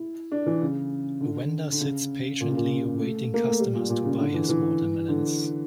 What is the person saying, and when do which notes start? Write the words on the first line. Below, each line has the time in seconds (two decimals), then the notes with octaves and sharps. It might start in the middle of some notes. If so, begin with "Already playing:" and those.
A vendor sits patiently awaiting customers to buy his watermelons.
Already playing: E4
0.32 D4
0.46 E3
0.62 C#3
1.21 D3
1.72 D3
1.81 C#3
2.40 A#2
2.49 C#3
2.57 A#2
3.00 A3
3.34 A#3
3.47 A3
3.60 G3
3.74 A#2
3.89 A#2
4.04 C#3
4.19 D3
4.34 E3
4.49 E3
5.08 D3